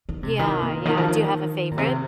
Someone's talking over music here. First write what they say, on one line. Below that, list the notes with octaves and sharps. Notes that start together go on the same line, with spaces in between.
Yeah, yeah, do you have a favorite?
D#3
C3
D#3
A#2
D#3
F3
D#3
A#2
C3